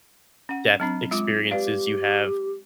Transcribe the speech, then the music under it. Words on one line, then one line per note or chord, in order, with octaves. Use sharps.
death experiences you have
C#4 F#5
F#3 C4 D4
G#3 F4 D6
G4 B4 D5 F5